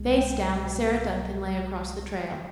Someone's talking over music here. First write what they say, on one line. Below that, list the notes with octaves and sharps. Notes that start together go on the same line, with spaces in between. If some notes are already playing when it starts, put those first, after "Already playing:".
Face down, Sarah Duncan lay across the trail.
Already playing: C2 B2 G#3
G5
G5